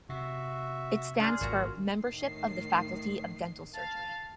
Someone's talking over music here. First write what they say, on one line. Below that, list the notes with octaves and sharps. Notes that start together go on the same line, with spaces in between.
It stands for Membership of the Faculty of Dental Surgery.
C3 F#4 E5
D4 G#4 C6 F6
G#1 A#2 F#4 A#5
A2 D#3 C7
F5 A5